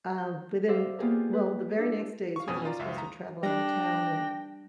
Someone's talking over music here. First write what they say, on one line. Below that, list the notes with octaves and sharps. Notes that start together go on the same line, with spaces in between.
uh, within t well, the very next day is when we were supposed to travel out of town, and
G6
C5 D5 E5 F5
A#3 B3 F4 G4 G#4 A#4
B4
D4 E4
F5 C#6
F2 B2 C#4 G#5 D#6
F4 D5 A#5
C#2 F#2 E5 F5
A#5
G3 D4 G5 A#6